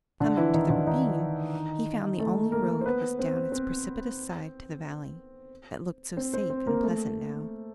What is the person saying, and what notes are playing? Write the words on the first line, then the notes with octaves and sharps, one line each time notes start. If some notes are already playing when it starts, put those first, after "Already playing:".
Coming to the ravine, he found the only road was down its precipitous side to the valley, that looked so safe and pleasant now.
D3 D4
E3 E4
D#3 D#4
D3 D4
D#3 D#4
A3 A4
A#3 A#4
C5
B3 B4
C4 C5
C4 C5
C4 C5
C4 C5
C4 C5
A#3 A#4
A3 A4